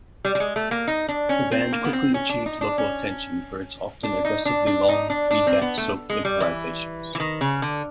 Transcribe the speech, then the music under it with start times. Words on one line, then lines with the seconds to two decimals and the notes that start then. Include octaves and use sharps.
The band quickly achieved local attention for its often aggressively long, feedback-soaked improvisations.
0.25 G3
0.35 G3
0.40 G#3
0.56 A3
0.71 A#3
0.87 D#4
1.08 D4
1.29 C#4
1.51 C4
1.73 A#3
1.84 B3
1.93 C4
2.14 C#4
2.29 D4
2.46 D#4
2.61 D4
2.78 C#4
4.03 D4
4.25 D#4
4.45 D4
4.67 D4
4.89 D#4
5.10 D4
5.31 D4
5.47 C4
5.61 B3
5.78 A3
6.10 G#3
6.25 G3
6.40 E3
7.15 E3
7.20 D#3
7.41 C#3
7.62 D3